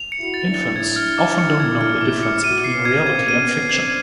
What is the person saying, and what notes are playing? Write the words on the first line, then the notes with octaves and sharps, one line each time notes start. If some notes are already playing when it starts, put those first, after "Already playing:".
Infants often don’t know the difference between reality and fiction.
Already playing: F7
C#7
E4 F#4
A6
D4 E4
A6
D4 E4 G#6
F6
D6
C#7
G#6
F6
D6
C#7
E4 F#4 D#7
C7
B3 C#4
G#6
A#3 C4
G#6
B3 C#4 D#7
C7
C4 D4 G#6